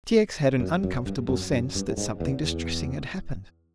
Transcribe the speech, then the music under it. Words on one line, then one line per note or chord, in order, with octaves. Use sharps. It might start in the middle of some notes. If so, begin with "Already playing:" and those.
T. X. had an uncomfortable sense that something distressing had happened.
F#2
F#2
G2
F#2
F#2
G2
A2
G#2
E2
E2